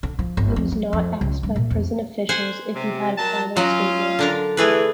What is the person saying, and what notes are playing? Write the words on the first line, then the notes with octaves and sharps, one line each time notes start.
He was not asked by prison officials if he had a final statement.
D3
F3
G1
F2
F#3
F2
C#2
G2
A#2
F2
C5 F#5 G#5
C3
F#3 A#4 A5
F#3 C#4 F4 D#5
D3 D4 A#4
E3 A3 G#4 B4